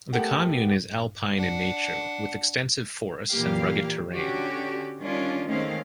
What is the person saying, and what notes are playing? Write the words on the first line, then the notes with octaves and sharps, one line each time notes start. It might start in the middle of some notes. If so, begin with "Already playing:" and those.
The commune is alpine in nature with extensive forests and rugged terrain.
A3 B3 G4 A4 A#4 F#5
D4 F#5
A#2 E3 A#3 G4 F5
D3 C#4 F#4 G4
D#3 G3 C#4 D4 F4
D#3 G#3 A3 C4 C#4 F5